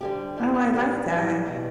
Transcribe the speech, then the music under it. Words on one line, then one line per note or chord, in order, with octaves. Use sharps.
Oh, I like that.
D2 D3 G3 G4
A2 G3 G4
G4
A2 E3 G3 G4
D4
A2 E3 G3 B3
E2 B2 G3 B3